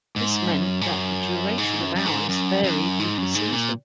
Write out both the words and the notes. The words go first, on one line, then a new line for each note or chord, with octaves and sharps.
This meant that the duration of hours varied with the season.
G#2
F#2
G#2
F#2
G#2
F#2
F#2
G#2
F#2
F#2
G#2
F#2
G#2
A#2